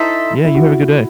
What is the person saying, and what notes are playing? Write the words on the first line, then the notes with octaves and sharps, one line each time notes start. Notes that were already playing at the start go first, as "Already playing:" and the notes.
Yeah. You have a good day.
Already playing: D#4 E4 A4 C5 E5
E4
F#4